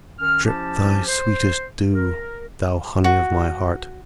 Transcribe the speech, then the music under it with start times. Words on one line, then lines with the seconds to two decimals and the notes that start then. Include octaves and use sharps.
Drip thy sweetest dew, thou honey of my heart!
0.19 D#3 C#4 F6
0.46 F3 C#4 E4 G4 A5
1.08 C5
1.93 A#4
3.04 F#4